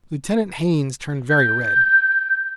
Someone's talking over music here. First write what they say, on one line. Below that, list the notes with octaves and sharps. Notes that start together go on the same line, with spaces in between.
Lieutenant Haines turned very red.
G6